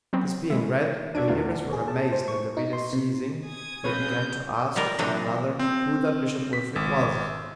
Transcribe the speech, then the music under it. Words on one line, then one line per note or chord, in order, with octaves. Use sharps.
This being read, the hearers were amazed, and the reader ceasing, they began to ask of one another, who that Bishop Wilfrid was.
F#3 B3 C4
G#3 E4
D4 F#4 E5 G#6 D7
E2 A3 F4
G#4
A5
C5
C#6
D#4
C6
C3
G#5 D#6 G#6
F2 C#3 B4 C#5 G6
G3 G#3 F4 A#4
C3 E3 F#3 C4 D4 D#5
C4
B6
G#1